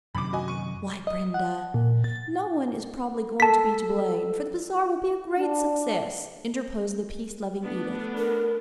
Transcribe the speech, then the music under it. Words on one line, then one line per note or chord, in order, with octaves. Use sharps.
"Why, Brenda, no one is probably going to be to blame, for the Bazaar will be a great success," interposed the peace-loving Edith.
F#2 C3 D#3 B5 D6
F#4 D#5 G#5
C#6 D#7
D#5
F#5
A#2
A6
A4 A5 B6
D4
A3 B3 D4
A#4